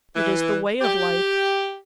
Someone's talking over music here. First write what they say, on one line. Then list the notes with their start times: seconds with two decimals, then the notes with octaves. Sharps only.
It is the way of life.
0.16 E3
0.81 G4